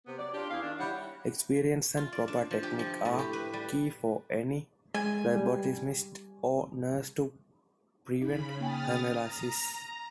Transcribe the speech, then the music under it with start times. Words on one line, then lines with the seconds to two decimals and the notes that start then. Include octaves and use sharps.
Experience and proper technique are key for any phlebotomist or nurse to prevent hemolysis.
0.07 C3 B3
0.19 F#3 D5
0.34 D4 F4 G4
0.51 E2 G#4 D5 F5
0.63 D#3 D4
0.80 G3 E4 C#5 F#5
1.97 F4
2.13 D5
2.28 D4
2.51 F3
2.63 G4
2.79 F3
3.05 A2
3.19 G4
3.33 B4
3.53 G3
4.94 G#3 G#5 G#6
5.36 G3
8.21 C#3 D#4 B5
8.60 A#3 G5 G#5 D#6 F6 A6
9.15 A#5